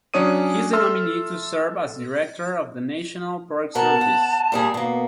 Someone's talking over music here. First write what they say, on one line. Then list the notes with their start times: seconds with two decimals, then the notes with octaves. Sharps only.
He is the nominee to serve as director of the National Park Service.
0.14 F#3 C#4 D4 C#5 D#6 D#7
0.73 A4 E5 C6 E6 F6
3.75 B2 A#4 F#5 A5
4.01 F#5
4.52 A#2 G3 G#4
4.74 B2 A#3